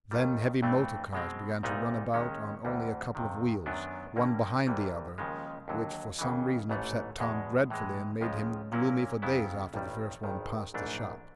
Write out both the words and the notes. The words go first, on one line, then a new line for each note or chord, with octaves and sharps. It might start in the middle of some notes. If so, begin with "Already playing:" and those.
Then heavy motor-cars began to run about on only a couple of wheels, one behind the other, which for some reason upset Tom dreadfully, and made him gloomy for days after the first one passed the shop...
D#2 D#3 G3
G2 E3 A3 C4
B2 G#3 C4
C2 A#2 G3 B3 D#4
D#2 D#3 G#3 C#4
D2 C3 E3 G3
F2 C3 D#3
F#2 D#3 F#3 B3 D4
G2 D3 G3 A#3 C#4
C2 C3 E3 G3
D#2 C#3 F3 G#3
D#2 D3 F#3
D#2 C#3 E3
A1 G#2 E3 A3
E2 B2 G#3
A2 E3 G#3
C#2 C#3 F3 G#3
A#2 F#3 A#3 C#4 E4
F2 C#3 F#3 B3 E4
A1 G2 D#3 G3
G#1 G2 D#3
A#1 G#2 E3 A3 D4